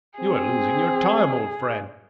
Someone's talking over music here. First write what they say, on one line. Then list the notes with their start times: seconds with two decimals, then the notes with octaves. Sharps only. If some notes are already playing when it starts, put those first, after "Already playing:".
You are losing your time, old friend.
0.20 C4 G#4